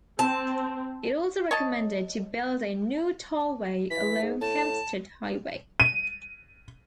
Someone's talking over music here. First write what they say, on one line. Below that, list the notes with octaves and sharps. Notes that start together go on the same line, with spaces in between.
It also recommended to build a new tollway along Hempstead Highway.
C4 A5
C#5 D#5 A5
E3 B6
G#2
A2 A5
D#7